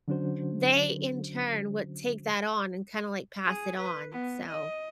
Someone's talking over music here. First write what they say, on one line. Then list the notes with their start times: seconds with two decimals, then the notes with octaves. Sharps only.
they, in turn, would take that on and kinda like, pass it on, so
0.08 D3 F#3 C#4 D4 F#4 C5
3.45 G#4
3.77 B4
4.12 B3
4.49 D#5